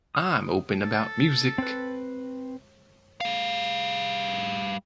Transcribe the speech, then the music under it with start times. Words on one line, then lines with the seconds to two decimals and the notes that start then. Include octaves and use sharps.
I’m open about music.
0.15 D#6
0.82 A4
1.58 C4 B4
3.21 G3 F5